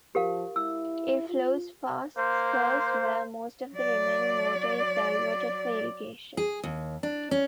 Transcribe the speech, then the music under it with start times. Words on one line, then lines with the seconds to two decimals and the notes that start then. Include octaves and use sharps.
It flows past Schurz, where most of the remaining water is diverted for irrigation.
0.15 F3 G4 A#4 F5
0.56 E4 E6
1.28 F4
2.17 A#3 C5
3.74 F#3 D5
6.37 G#4
6.64 D#2
7.03 D4
7.31 C#4